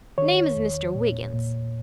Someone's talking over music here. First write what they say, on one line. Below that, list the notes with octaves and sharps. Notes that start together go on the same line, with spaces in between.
"Name is Mr. Wiggins."
D#3 C#5
E2
A#2
A#2